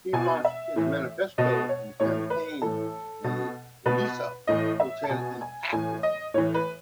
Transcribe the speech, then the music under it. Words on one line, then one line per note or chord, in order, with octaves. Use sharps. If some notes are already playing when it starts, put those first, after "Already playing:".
He launched his manifesto and campaign at the Alisa Hotel in Accra.
B2 G#5
E5
A2 E3
B2 D#5
C#5
A2 E3 C#5
B4
A2 E3 A4
B2
B2 B4
A2 E3 D#5
E5
A5
B2 G#5
G#5
A2 E3 G#5
D#5
A2 E3 C#5
B4